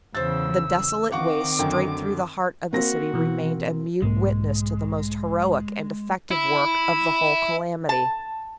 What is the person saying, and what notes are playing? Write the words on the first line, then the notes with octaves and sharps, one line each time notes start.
The desolate waste straight through the heart of the city remained a mute witness to the most heroic and effective work of the whole calamity.
E2 C#3 C5 E6 A6
D#3 C4 F5 F#5 C#6 D6
F#2 D3 G5
A#3 C4 F#4 A#6
B2 E3
B1 G#2 G#3 A#3
E4
A5